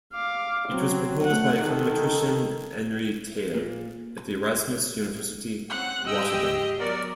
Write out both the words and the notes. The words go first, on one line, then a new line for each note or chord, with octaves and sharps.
It was proposed by econometrician Henri Theil at the Erasmus University Rotterdam.
F5 D6
F#3 C4
A3 F#5
D#3 A4
A#2
C4 C#4 F#5 F#6
G#2 G4 G#4 D#5 G5 E6
F#3 B3 F#4 A#4 D5